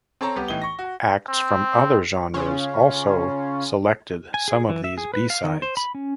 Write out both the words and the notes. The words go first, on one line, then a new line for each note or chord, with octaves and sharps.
Acts from other genres also selected some of these B-sides.
C4 A4 C#5 A5 A#5
C2 B3 G4
A2 E3 D#4 G7
C#6 A#6
F#4
C4
C#3 C#4 F4
G#5
G#4
E3
E5
G#4
B4
F5
D#3
C5
B5
C#4